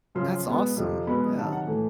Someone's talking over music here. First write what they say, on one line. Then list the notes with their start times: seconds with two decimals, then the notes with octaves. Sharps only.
That's awesome, yeah.
0.15 F#2 C#3 F3 C6
0.31 C6
0.46 B2 G#3 B3
0.77 F2 C3 F3
1.07 B2 G#3 B3 B5
1.37 C3 D#3 F#3 A5
1.52 F#5
1.67 A2 E3 A3